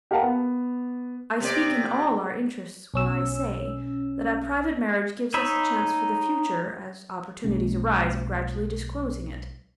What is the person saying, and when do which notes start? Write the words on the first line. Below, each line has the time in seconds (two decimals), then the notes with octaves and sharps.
I speak in all our interests, when I say that a private marriage gives us a chance for the future, as opportunities arise of gradually disclosing it.
0.11 G4 A#4 F5 F#5 A5
0.22 B3
1.40 C3 B3 D5
2.94 B1 C#4 E6
5.34 D#4 C#5 B5 E6
7.44 B1 G#3 A#3 C#4